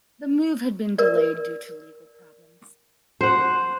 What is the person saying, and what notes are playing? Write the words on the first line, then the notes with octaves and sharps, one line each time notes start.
The move had been delayed due to legal problems.
A#4 D5
C5 F#5